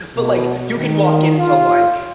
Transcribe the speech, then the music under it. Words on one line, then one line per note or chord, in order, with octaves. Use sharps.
but, like, you can walk into like
B2
D#3
F4